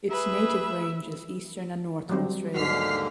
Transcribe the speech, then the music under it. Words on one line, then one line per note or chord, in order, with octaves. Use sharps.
Its native range is Eastern and Northern Australia.
G#4 B4 E5
F#3 G3 C4
D#2 G#2 D3 F#4 F6 B6 C7